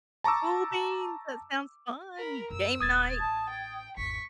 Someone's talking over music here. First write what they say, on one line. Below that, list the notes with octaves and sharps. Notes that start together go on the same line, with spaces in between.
Cool beans! That sounds fun. Game night!
A5 A#5 C#6 D6 E6
A#4 B5
F#2 E6
D#1 A#3 D#6 G#6 A6
A1 A5
G5
G#1 E2 C#6 B6